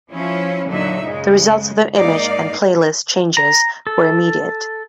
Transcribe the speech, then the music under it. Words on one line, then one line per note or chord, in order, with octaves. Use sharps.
The results of the image and playlist changes were immediate.
F3 C#4 E4 F4
F#2 A#2 D3 F#3 D#4 E5
C#3 G#3
G#2 A#3 D#4 D5 F5
A#5
A4